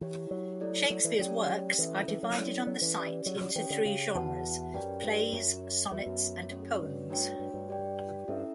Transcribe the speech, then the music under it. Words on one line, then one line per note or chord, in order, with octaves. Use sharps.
Shakespeare's works are divided on the site into three genres: plays, sonnets, and poems.
E3 E4 G4 C#5
F#3
A3 E4 A4 D5
F#3
E3
F#3 A3 C#4 G4 D5 G5
E3 C#4 E4 A4 E5
E3
F#3
C#4 E4 A4 D5
F#3
E3
C#4 G4 D5
F#3
F#3
E3 C#4 G4 C#5 G5
D3
C#3
E2 F#4 B4 F#5 A5
F#2 G4 B4 D5 G5
G2
F#2 F#4 C#5 E5
E2 B3 F#4 B4 E5
F#2
A3 C#4 F#4 C#5
G2
A3 D4 F#4 C#5 G5
G2
G2
G4 D5 G5
G2 C#4 E4 A4 E5